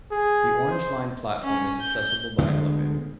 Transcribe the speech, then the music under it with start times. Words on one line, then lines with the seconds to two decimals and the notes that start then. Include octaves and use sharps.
The Orange Line platform is accessible by elevator.
0.12 G#4
0.71 C5
1.42 C#4
1.81 G6
2.38 D2 D3 G#3 B3